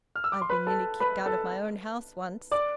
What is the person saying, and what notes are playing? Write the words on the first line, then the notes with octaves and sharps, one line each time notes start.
I've been nearly kicked out of my own house once.
F6
E6
D6
C6
B4 B5
A4 A5
B4 B5
A4 A5
D5 D6